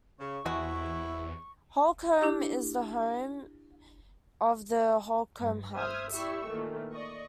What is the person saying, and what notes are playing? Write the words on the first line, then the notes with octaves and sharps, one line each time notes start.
Holcombe is the home of the Holcombe Hunt.
C#3 C#6
E2 C3 G#3 E4 F#4
D4 E4 G4
G2
C5 E5 D#6 F6 G#6
E4 G4 D5 E5 C#6 E6
A#2 D#3 E3 A3
D5 D#5 C#6